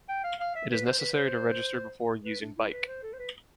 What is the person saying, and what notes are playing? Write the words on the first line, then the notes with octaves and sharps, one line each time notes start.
It is necessary to register before using bike.
G5
F5
F5
E5
B4
C5
B4
C5
B4
D4
E4
B4
C5
A4
C5
B4